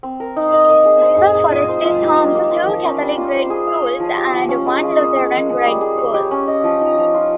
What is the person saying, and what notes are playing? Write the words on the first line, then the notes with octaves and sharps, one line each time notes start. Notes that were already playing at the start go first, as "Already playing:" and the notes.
River Forest is home to two Catholic grade schools and one Lutheran grade school.
C4
A#4
D#4
D#5
A#3
G#4
C5
G#4
G#4
F4
C5
F4
G4
D#4
A#3
F4
F3
C#4
G3
F4
C5
G#4
F5
C#5
F3
G4
F3
C#4
G#3
G#4
A#3
G#4
G#3
G#4
G3
G#4
C#5
G4
C#4
D#5
F3
D#4
F3
F4